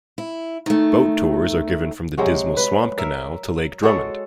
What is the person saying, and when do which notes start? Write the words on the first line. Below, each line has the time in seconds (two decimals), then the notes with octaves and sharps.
Boat tours are given from the Dismal Swamp Canal, to Lake Drummond.
0.18 E4
0.66 D#3 A3
2.17 C3 F#3 G#3 F#4
2.57 B4
2.98 A#4 E5
3.82 G#3 F#4 A4 C#5